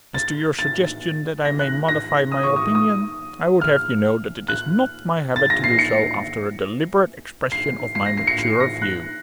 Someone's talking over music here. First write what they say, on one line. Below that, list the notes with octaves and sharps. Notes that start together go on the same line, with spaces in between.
As to your suggestion that I may modify my opinion, I would have you know that it is not my habit to do so after a deliberate expression of my mature views.
A6
A6
A#6
F#6
A#6
D#6
C#6
D#6
D#6
F6
F#6
A6
A#6
C7
C#7
C7
C7
A#6
C7
C#7
C7
A#6
F#6